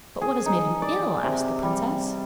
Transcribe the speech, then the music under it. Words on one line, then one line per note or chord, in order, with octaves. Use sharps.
'But what has made him ill?' asked the princess.
G#4
D#4
D5
C3
G3